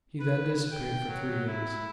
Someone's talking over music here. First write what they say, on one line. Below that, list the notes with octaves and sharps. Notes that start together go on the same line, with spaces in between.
He then disappeared for three days.
B4
G5
F#3
E4